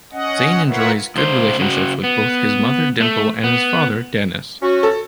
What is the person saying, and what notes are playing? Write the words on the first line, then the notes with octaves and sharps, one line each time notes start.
Zane enjoys good relationships with both his mother Dimple and his father Denis.
C#4 D#5 F#5
F4 A#4 B4 C#5 E5 F#5
C#2 C5
C#3 F#4
B3
A3
B3
C#4 F#4
A4